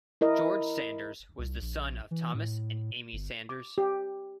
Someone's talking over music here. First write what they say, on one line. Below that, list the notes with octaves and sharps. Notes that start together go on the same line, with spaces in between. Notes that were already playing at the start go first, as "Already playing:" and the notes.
George Sanders was the son of Thomas and Amy Sanders.
E4 A#4 D#5
C2
A#1
E3
A2
G1
D6
G4